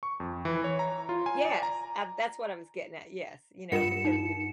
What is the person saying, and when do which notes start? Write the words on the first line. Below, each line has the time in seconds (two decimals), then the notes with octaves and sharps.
Yes. A that's what I was getting at yes, you know, because you
0.03 C#6
0.20 F2
0.45 E3
0.64 C#5
0.79 A#5
1.09 F4
1.26 G#5
1.45 D5
1.63 A#5
3.72 G2 F4 A#4 F#5 C#7 E7
4.05 D#4